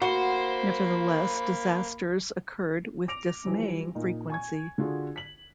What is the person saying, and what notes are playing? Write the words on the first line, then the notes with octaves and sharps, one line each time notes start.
Nevertheless, disasters occurred with dismaying frequency.
A#3 F#4 C5 B5 C6
D6 A#6 D7 F7
E3 F3 G3
A#2 D#4
G#5 C#6 G#6
D3 D4 F4 F#4 G#4
B6 F#7